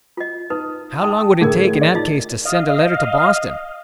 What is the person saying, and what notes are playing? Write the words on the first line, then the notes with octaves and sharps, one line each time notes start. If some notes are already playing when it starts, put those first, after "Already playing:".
How long would it take, in that case, to send a letter to Boston?
F4 D#5
D#4 B4 D#6
G5 A5 D#6
A2 D3 G#4 A#4 G#6
D5 A6
D#4 F4 D#5
D#5 F5